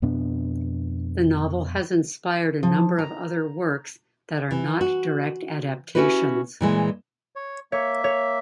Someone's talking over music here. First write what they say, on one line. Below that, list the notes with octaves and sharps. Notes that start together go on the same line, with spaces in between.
The novel has inspired a number of other works that are not direct adaptations.
F2 B2 B3 D4
F3
A#5
E3
F#4
C#4 E4 F#4 G4 B4
A#2 E3 G#3
C#5
A#3 C#5 E5
C#5